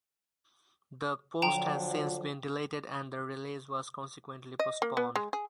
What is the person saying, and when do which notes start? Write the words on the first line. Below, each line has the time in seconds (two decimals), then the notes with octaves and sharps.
The post has since been deleted and the release was consequently postponed.
1.42 D3 F3 F#3 G5 A#5 E7
4.59 D#5
4.82 A#3
4.97 B3
5.16 G#3
5.33 G#4